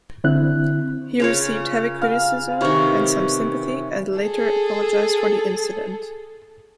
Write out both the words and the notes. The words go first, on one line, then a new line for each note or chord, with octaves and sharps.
He received heavy criticism, and some sympathy, and later apologised for the incident.
D3 C4 E4 F#6
C#3 F4 C#5
F5
C3 D#3 E3 C#5
G#4 A4